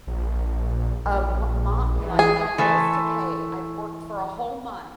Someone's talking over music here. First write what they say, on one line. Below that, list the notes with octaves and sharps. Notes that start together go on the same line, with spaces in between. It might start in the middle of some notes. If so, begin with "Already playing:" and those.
Of wha mo you know, like, I have bills to pay. I've worked for a whole month
A#1
A#1
E3
G#4
E3 A3 A4 C5